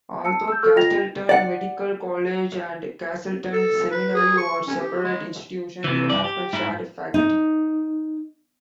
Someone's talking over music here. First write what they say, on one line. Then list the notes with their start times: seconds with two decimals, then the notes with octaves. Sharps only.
Although Castleton Medical College and Castleton Seminary were separate institutions, they often shared faculty.
0.25 A5 E6 C#7
0.48 E6 G6
0.62 A4 C#6 F6
0.76 F4 D#5 G5 A#6 F7
1.29 D5 F#5
3.53 A4
3.91 B4
4.14 G#4
4.38 C#6
4.67 C#4
4.80 G4
5.04 G#3
5.84 C3 E3
6.10 G2 D5
6.24 G4
6.53 G#2 E4
7.14 D#4